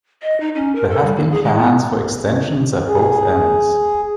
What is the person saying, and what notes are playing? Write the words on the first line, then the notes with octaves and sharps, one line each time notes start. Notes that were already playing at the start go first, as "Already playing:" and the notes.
There have been plans for extensions at both ends.
D#5
D#4
C#4
A#4
A4
G3
A#3
G#4
G#3
B3
G#4